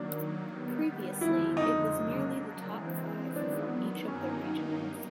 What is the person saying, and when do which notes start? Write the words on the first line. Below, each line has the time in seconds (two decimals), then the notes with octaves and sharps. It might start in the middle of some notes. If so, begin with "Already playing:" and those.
Previously, it was merely the top five from each of the regions.
Already playing: D#3 F#3 A#3 D4
0.50 D#3 G3 B3
1.21 F2 D3 F3 G#3 E4
1.57 D#4
1.92 C#3 F#3 A#3 D4
2.64 E3 G#3 C4
3.36 D#3 F#3 B3 D4
4.08 G2 D#3 F#3 A#3 C#4 D#4
4.79 A#3